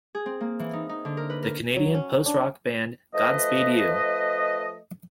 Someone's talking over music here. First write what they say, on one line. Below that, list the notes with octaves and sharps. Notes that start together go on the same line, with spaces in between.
The Canadian post-rock band Godspeed You!
G#4
C4
A#3
E3
D#4
D#4
D3
A#4
B4
A#4
F#3
C#4
D4
F3 A3 B4 D#5